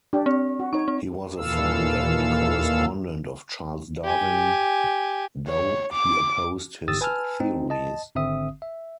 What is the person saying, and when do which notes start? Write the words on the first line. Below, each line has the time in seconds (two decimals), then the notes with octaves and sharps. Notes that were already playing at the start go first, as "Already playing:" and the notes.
He was a friend and correspondent of Charles Darwin though he opposed his theories.
0.13 D4 G4
0.26 C4
0.60 F#4
0.73 D#4 C#5 C#6
0.88 C4
1.38 D#2 A#2 E3 A4 F5 E6
4.05 G4 G#5
5.48 C#5
5.93 D6
6.88 G1 G4 D#6 E6 A6
7.01 B4 G#5 A5 E6 F6
7.40 C4 D#4
7.70 D#5 A5
8.15 G#1 D3 C4 E5 D#6
8.62 E5